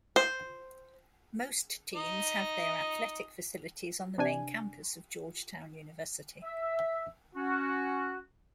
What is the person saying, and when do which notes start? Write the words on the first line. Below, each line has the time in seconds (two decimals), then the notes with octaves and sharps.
Most teams have their athletic facilities on the main campus of Georgetown University.
0.16 C5
1.95 D#4 D#5
4.18 C3 D4 G#5
6.44 E5
7.35 C#4 F#4